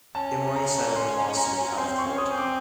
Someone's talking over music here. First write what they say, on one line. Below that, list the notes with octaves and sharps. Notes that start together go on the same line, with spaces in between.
Emory settled the lawsuit out of court.
C#4 A5
A#5
C6
A#5
C4 C6
C#6
C#4
D#6
C4
D6